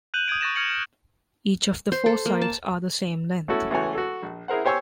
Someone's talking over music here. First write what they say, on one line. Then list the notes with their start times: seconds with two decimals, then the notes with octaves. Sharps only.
Each of the four sides are the same length.
0.14 F#6 G6 D#7 F7 F#7
0.28 D#6 G6 G#6 D7
0.41 C#6 F#6 A6 A#6 D#7 E7
0.55 F6 G#6 A#6 C#7 F7 F#7
0.70 F6
1.92 C5
2.06 A4
2.26 A#3
2.41 A5
3.48 A3 C#4 E4 F#4 A4
3.70 C#2 E3 A3 F#4 C#5 G#5
3.95 F#4 A4
4.23 A#1
4.48 E4 G#4 A#4 C5 F#5
4.65 G4 C5 C#5 G#5 C#6 E6